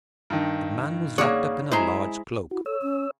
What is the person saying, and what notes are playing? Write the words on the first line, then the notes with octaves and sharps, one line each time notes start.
The man was wrapped up in a large cloak.
G2 D#3
A#3 G#4 C#5 D5 F#5
G#3 E4 C5 G#5 A#5 C6
E4 F#4
A4 C#5 E6
C#4